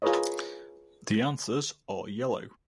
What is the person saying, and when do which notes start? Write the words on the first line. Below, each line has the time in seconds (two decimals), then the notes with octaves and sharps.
The anthers are yellow.
0.02 F4 G#4 A#4 B4 C#5 D#5